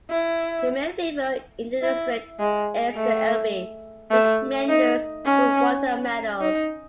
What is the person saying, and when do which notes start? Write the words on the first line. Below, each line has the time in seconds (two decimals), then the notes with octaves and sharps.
The main river in the district is the Elbe, which meanders through water meadows.
0.10 E4
1.82 E4
2.39 G#3
2.96 A3
4.11 A3
4.69 D#4
5.26 C#4
6.41 D#4